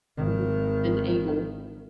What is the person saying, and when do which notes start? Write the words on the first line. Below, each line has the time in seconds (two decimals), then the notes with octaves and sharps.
Mhm, and able.
0.17 G#1 D#3